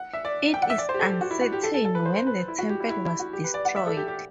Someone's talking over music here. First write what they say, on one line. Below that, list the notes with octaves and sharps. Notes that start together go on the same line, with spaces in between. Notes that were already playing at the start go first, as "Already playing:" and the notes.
It is uncertain when the temple was destroyed.
Already playing: F#5
E5
D5
G5
F#5
E5
D5
C5
G4
A4
G4
F#4
E4
F#4
G4
A4
A4
A4
B4
C5
C5
B4
E4
F#4
G4
E4
E4
E4
F#4
G4
B4
D5
F#5
E5
A4
G4
G4